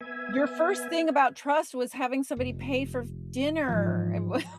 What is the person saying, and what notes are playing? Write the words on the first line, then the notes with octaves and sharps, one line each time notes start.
your first thing about trust was having somebody pay for f dinner. It was,
B3 E5 G#5
F1
G#2 E3 F3